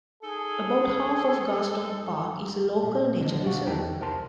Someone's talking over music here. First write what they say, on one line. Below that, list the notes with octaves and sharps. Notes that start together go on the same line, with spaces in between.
About half of Garston Park is a Local Nature Reserve.
D#4 G#4 A4
A#2
D3 D#3 G#3 D4
B1 D4 F4 F#4
E2 D#4 G4 G5 A5
C2 A#4 C5 A5 C6